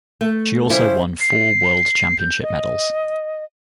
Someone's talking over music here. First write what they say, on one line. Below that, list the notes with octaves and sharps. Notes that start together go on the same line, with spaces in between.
She also won four World Championship medals.
A3
C#3 G3 E4 C5
C7
G6
D#5